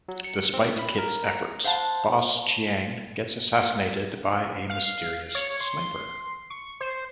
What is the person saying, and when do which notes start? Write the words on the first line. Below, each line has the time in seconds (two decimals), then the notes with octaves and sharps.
Despite Kit's efforts, Boss Chiang gets assassinated by a mysterious sniper.
0.08 F#3
0.24 C#7
0.54 C4
0.66 A2
0.79 B5
0.99 A#4
1.27 A#5
1.64 C5 F5 F#5 A5
4.70 F5
5.35 C#5
5.60 C6
6.50 C#6
6.80 C5